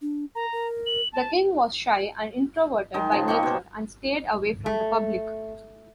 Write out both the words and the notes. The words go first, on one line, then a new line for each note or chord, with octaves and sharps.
The king was shy and introverted by nature, and stayed away from the public.
D4
A#4 A#5
A#4
F#7
A5
D#3 G#3 D#4
C#3 F3
A#3 D#4 G5 C#6
B2 C5
A3